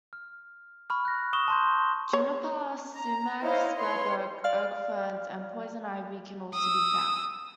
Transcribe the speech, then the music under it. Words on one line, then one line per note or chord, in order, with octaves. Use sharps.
Juniper, sumac, scrub oak, oak ferns and poison ivy can also be found.
F6
B5 C#6 F6
F#6 A#6
C#6 D#6 E7 G7
A5 C6 G6
C#5
A#5
D#4 E4 C5 C#5 D#5 F5
B4 C#5 C6
D5 F5 F6
D#6 E6